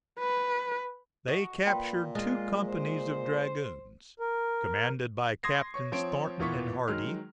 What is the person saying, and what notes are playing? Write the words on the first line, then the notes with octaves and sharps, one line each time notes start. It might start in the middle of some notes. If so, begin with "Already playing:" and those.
They captured two companies of dragoons, commanded by Captains Thornton and Hardee.
B4
F#4 D#5
A#2 B4 G5 C6
G#3 F4 D#5
C5
A#4
C6 D#6 G#6 A#6 C7
C#5 C#6
F3 C4 C#5 D7
E2 A#2 E3 B3 C#6 B6
D#3 F#3 G#3 F6